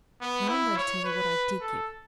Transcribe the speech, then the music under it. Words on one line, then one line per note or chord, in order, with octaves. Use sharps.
Now I'm going to tell you what I did give.
B3
E4
C#5
B4
A4